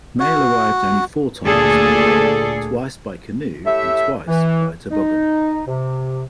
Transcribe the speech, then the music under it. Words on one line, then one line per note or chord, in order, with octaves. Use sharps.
Mail arrived only four times per year, twice by canoe and twice by toboggan.
F#4
D2 A#2 G#4 A4 D5
A3 E4 G4 C#5 E5
E3
D#4
C3